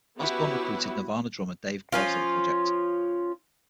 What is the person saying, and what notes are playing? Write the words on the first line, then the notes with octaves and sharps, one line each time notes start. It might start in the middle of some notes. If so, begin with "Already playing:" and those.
Osborne recruited Nirvana drummer Dave Grohl for the project.
B3 C#4 E4 F#4 G4 B4
F3 C#4 F4